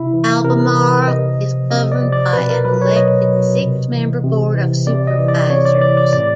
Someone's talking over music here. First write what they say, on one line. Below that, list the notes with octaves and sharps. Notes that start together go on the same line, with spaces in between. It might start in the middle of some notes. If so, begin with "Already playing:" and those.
Albemarle is governed by an elected six-member Board of Supervisors.
Already playing: C3 E4
E3
C3 A#4
B4
E3
C3 D#5
F3
C3 D#5
D5
F3
D5
B2 B4
A#4
F#3 B4
C#5
B2 D#5
F#3
C3
E3
C3
E3
C3 D5
D#5
E3
D5
C3 C#5
D5
E3 D5
D5
A2 D5